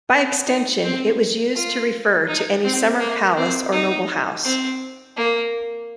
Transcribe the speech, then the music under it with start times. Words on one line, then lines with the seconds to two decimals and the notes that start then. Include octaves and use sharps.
By extension it was used to refer to any summer palace or noble house.
0.12 C4
0.48 D#4
0.84 C4
1.55 F4
2.28 D#4
2.64 C4
3.00 A#3
3.37 C4
3.72 D#4
4.44 C4
5.17 A#3